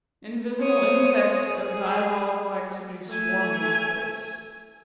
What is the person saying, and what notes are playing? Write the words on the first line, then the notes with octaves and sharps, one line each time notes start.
'Invisible insects of diabolical activity swarm in this place.
C5 C#5 D#6
G#4
A3 G#5